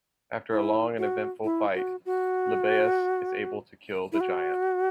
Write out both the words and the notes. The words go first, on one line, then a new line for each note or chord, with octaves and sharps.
After a long and eventful fight, Libeaus is able to kill the giant.
E4
F#4
E4
F#4
F#4
E4
F#4